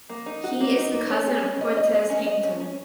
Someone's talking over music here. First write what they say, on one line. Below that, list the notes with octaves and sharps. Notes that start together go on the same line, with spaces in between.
He is the cousin of Cortez Hankton.
A#3
D#4
F#4
A#3
D#4
A#3
C#4
G#4
C#4
D#5
D#5
D#5
C#4
D#5
C#4
C#4